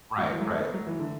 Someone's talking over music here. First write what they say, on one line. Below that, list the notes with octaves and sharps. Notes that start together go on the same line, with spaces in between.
Right, right.
F#3
E3
F#3
A3
B3
F#3
E3
D3